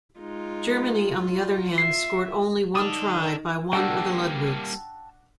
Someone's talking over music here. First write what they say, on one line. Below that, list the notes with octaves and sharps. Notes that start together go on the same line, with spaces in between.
Germany, on the other hand, scored only one try, by one of the Ludwigs.
G#3 D#4 F4
E5 C7
D4 D#4 A4 D#6
G3 A#3 D4 F#4 F#5 G5 A5 E6